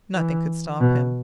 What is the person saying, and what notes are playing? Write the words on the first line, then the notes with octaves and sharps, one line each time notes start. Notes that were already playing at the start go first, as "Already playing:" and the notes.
Nothing could stop him.
E3
B2